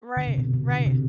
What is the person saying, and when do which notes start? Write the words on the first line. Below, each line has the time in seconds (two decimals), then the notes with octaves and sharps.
Right, right.
0.17 D3
0.27 C3
0.38 B2
0.54 C3
0.69 D3
0.86 C3